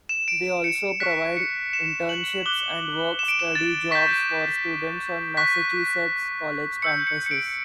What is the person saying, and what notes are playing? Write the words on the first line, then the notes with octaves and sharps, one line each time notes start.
They also provide internships and work study jobs for students on Massachusetts college campuses.
E7
D7
C#7
C#6 F#6 B6
C#7
E7
F#7
D6 F#6 G7
E7
D7
E7
A6
C#6 G6 B6
C#6 F#6 B6
C#6 E6 G6 C#7
C#7
C#7
D7